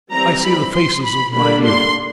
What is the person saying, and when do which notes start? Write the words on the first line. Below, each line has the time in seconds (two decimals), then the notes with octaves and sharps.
I see the faces of my youth.
0.12 E3 G3 C4 A#5
0.44 B5
0.74 C6
1.04 B5
1.35 D3 G3 A#3 D4 B5
1.65 C6